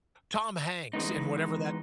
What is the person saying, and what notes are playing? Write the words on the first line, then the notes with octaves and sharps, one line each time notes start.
Tom Hanks and whatever that
E3 G#3 B3 D#4